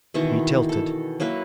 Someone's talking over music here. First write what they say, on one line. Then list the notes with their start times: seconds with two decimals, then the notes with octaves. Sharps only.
We tilted.
0.14 B2 D#3 E3 C#6
0.69 A4
1.20 F#3 A#3 E4 B4